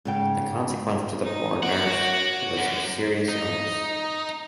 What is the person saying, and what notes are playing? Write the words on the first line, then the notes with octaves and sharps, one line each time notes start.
The consequence to the poor nurse was a serious illness.
G#2 C#3 G5
D#4
F#4 C#5 F#5 D6
F#2 D6
D#4